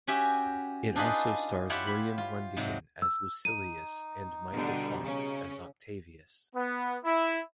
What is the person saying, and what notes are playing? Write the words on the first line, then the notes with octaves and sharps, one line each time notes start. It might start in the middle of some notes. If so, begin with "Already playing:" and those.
It also stars William Lundigan as Lucilius and Michael Fox as Octavius.
C#4 F#4 G4 E5 G#5
D4 D#4 F4 G#4 B4 D#5
E4 F4 G4 C#5 E5 F#5
B5
F4
G#2 C3 F#3
E6
D#4 D#7
B2 D3 G3
C#3 C#4
B3
E4